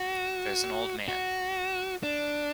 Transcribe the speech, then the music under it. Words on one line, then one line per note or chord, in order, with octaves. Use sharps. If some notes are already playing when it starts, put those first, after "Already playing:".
There's an old man.
Already playing: F#4
F#4
D4